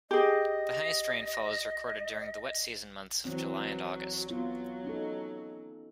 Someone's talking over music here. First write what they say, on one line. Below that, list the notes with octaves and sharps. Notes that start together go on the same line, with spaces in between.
The highest rainfall is recorded during the wet season months of July and August.
G4 G#4 D#5
E3 F#3 C4
F#3 B3 F4
C#4 D#4 A4